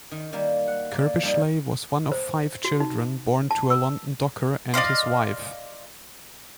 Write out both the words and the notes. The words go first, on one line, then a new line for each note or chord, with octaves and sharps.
Curbishley was one of five children born to a London docker and his wife.
D#3
D#3 G3 A#3
F#5
A#3 D5
F3 G3 A#3 D#4
C5
F#4
D#4
A5
E6
D5 D#5 F5 C6